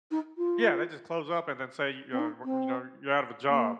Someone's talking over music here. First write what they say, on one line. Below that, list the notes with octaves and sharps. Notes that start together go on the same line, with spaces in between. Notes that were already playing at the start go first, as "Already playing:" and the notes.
Yeah, they just close-up and then say, you know, y you know, "You're out of a job."
D#4
F4
C4
D#4
C4
A#3